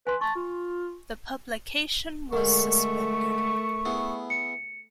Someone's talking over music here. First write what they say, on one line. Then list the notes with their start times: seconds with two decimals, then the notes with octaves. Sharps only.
The publication was suspended.
0.07 B4 G#5 C6
0.21 A5 C#6
0.35 F4
2.33 D3 G#3 A3 A#4 C#6
3.85 B3 E4 G#4
4.30 C#7